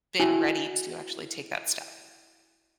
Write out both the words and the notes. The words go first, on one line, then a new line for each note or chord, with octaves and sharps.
been ready to actually take that step.
E4 F#4 G#5